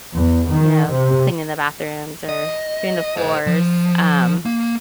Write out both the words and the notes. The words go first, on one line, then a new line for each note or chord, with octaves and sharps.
you know, cleaning the bathrooms or doing the floors, um,
E2
D#3
C3
D#5
C5 D#5
F3
A#3